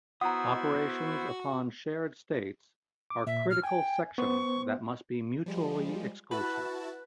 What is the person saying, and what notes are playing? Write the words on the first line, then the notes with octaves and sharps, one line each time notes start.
Operations upon shared states are critical sections that must be mutually exclusive.
B3 E4 F#4 C5 F#5 A#5 D#6
D6
A#2 E5
F6
G5 G#5
B3 C5 C#6
F3 G3 G#3
E4 F#4 B4 A5